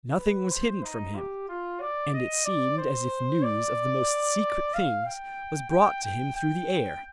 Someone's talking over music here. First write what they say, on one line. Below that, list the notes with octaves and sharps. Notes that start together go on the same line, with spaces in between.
Nothing was hidden from him, and it seemed as if news of the most secret things was brought to him through the air.
B4
C5
D#4
G4
F4
D5
D#5
D5
C5
D5
F5
G5
G5
G5
G5